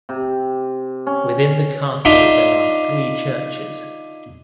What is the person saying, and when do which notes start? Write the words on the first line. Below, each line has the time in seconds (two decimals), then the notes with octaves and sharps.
Within the castle there are three churches.
0.09 C3
1.07 C#4
2.05 D4 D#4 F4 E5